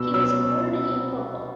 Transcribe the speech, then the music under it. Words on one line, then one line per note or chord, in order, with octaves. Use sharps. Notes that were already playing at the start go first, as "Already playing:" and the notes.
He was born in Limpopo.
Already playing: B2 B3 E6
F#3 E6